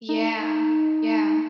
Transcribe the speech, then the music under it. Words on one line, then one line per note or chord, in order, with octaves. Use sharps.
Yeah, yeah.
D#4